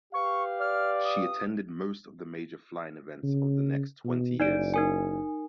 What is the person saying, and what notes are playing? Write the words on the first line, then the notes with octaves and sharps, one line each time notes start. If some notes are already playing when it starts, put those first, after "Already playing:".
She attended most of the major flying events of the next twenty years.
G4 B4 F5 C#6
D5 F6
D#6
C#3
B2
F#1 D#4 D5 D7
D#4 A#4 G#5